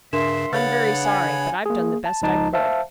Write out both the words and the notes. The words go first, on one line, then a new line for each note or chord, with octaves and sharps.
"I'm very sorry; but I've done the best I could."
G2 C#3 D4 A#4 E5 C6 E7
C#3 D4 B4 C#5 F5 F#5 B5 A6
G#5
A#3 G#4
A5
C#2 F3 D#4 A5
C5 E5 F5 A5